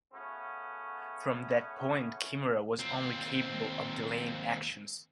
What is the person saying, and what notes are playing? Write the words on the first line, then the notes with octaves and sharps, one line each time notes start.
From that point, Kimura was only capable of delaying actions.
C#3 A3 B3 C#4 F#4
D#2 C4